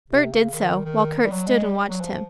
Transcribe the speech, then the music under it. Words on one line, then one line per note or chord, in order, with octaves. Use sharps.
Bert did so, while Kurt stood and watched him.
C3
C#3
D#3
D#3
G3
F#3
G#3
G3
F#3
F3